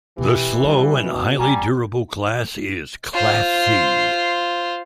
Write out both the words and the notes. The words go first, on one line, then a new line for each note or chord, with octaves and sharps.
The slow, and highly durable class is "Class C".
B2 E3 G4
G3 C#4 F4
B2
F3 G3 E4 G#5 A#5
F4 C5